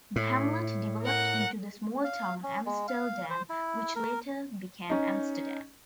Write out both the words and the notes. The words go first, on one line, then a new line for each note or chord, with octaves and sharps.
The hamlet developed into the small town "Amsteldam", which later became Amsterdam.
A2
A#4 F#5
F5
C#4
G#3
F5
C5
E4
A#4
C#4 D#4